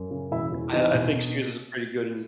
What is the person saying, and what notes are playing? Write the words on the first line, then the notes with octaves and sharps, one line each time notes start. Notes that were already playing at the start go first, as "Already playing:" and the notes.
I I think she was, uh, pretty good in
Already playing: F#2
C#3
E1 E4 E5
E2
E2 D#4 D#5
B2